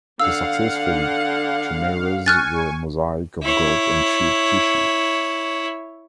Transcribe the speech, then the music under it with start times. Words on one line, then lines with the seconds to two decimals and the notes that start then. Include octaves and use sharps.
The successful chimeras were a mosaic of goat and sheep tissue.
0.20 D3 F5 F#5 E6
2.26 G#5 C#6 F6 F#6 A6
3.43 E4 C#5